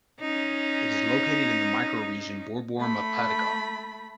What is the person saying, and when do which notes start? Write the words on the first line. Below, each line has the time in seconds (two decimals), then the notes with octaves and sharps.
It is located in the micro region Borborema Potiguar.
0.21 C#4 D#4
2.78 A3 B5